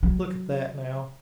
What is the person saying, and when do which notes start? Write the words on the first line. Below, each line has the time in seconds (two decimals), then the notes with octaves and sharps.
Look at that, now.
0.03 F#3